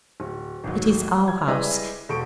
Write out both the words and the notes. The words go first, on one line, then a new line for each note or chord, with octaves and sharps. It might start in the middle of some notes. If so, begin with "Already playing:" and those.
It is our House.
D1
A1 D#2 F#3
G#6
G3 G#3 E4 G#4 B4 D#5
E1 A4 C#6 D7